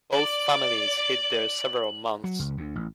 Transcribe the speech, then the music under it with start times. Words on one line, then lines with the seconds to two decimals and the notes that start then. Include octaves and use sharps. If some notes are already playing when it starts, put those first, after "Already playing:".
Both families hid there several months.
0.13 D5 F#7
2.24 F#3
2.39 C#2
2.57 D2
2.75 A1